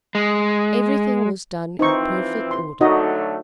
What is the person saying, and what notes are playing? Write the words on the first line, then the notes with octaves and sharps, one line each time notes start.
Everything was done in perfect order.
G#3
E3 F3 C4 D#4 C5 C#6
C6
D3 F#3 A3 D#4 F#4 D#5